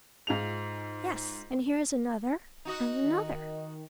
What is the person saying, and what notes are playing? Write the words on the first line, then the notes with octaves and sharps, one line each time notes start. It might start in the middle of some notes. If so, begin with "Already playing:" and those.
Yes--and here is another, and another.
G#2 F4 G#4 F7
D#4 F#4 D#5
D#3